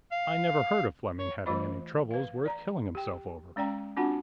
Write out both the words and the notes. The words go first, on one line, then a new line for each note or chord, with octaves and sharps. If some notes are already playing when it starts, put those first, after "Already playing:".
"I never heard of Fleming having any troubles worth killing himself over."
F5
C#5
E3 A3 F4 C5 D#5 B5
B4 F5
D5 A#5
G4 G5
G#3 C#4 D5 G5 A#5
C4 D4 F4 F#4 F#5 A5